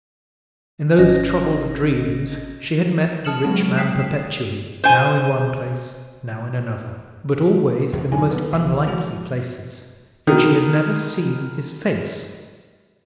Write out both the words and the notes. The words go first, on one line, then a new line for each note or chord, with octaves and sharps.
In those troubled dreams she had met the rich man perpetually: now in one place, now in another: but always in the most unlikely places: yet she had never seen his face.
G#1 C#4 D#5 A#6
A5 D#6 F6 C#7 E7 F#7
F#3 G#3 C4
G5 D#6 B6 C7 E7
C5 G#5
E2 B2
B1 C3 F#3 G#5
B3
B1 E3
F3 G#3 F#4 F7
B2 D#3